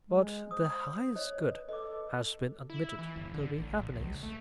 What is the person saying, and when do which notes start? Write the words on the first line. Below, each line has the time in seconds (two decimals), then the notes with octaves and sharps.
'But the highest good has been admitted to be happiness.'
0.08 G#3
0.51 C5 D#6
1.16 C5 C#5 D#5
1.45 B4
1.69 A4 D#5 D6
2.70 E4
2.99 E3
3.16 G1
3.34 D3
3.58 A1
3.78 A#1
3.96 C#2
4.23 A3